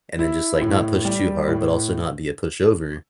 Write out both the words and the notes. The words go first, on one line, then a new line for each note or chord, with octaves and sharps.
and then just, like, not push too hard, but also not be a pushover.
E4
A2
G3
A2